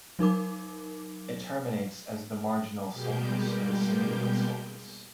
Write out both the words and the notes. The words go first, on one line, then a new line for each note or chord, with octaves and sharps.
It terminates as the marginal sulcus of the cingulate sulcus.
F#3 D#4 A#4 D6
B2 G3 G#3 A#3 G4 G6